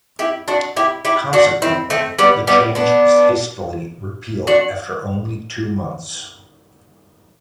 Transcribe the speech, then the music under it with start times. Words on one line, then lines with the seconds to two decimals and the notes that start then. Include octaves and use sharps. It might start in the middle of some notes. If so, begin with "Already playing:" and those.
Consequently, the change was hastily repealed after only two months.
0.19 E4 G4
0.48 D4 F#4
0.76 E4 G4
1.05 E4 G4
1.33 D4 F#4
1.62 C4 E4
1.90 A3 C4
2.19 G3 B3
2.47 G3 B3
2.75 B3 D4
4.47 D4 F#4